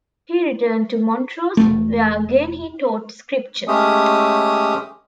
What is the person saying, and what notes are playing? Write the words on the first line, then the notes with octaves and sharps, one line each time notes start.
He returned to Montrose, where again he taught Scripture.
E1 A3
G#3 A3 C#4 G4 D#6